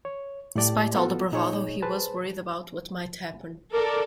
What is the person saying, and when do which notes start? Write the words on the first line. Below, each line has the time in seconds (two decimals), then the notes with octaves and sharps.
Despite all the bravado he was worried about what might happen.
0.05 C#5
0.56 A2 G4 D5 A5
0.95 B3 F4 F#4 A4
1.32 A#2 D#4 G#4 C#5
1.82 G#4 B4 C5 A5
3.73 A4 A#4 D5